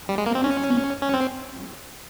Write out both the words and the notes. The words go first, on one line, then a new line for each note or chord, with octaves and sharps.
It was cheap.
G3
G#3
A#3
C4
C#4
C#4
C4